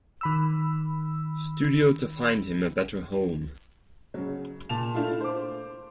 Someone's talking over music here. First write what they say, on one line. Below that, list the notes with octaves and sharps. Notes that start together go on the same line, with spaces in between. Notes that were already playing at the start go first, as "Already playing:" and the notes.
Studio to find him a better home.
D#3 B5 E6
C#3 F#3
A#2 A5 F7
A3 D4 E4 F4
C5 D6